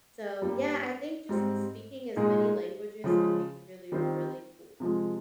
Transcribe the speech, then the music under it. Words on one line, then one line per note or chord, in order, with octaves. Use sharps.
so yeah, I think just s speaking as many languages would be really, really cool
G2 G3 A#3
G#2 G3 C4
A#2 G#3 D#4 G#4
C#3 F3 G#3
D#3 G3 C4 F4 C5
C3 F3 G#3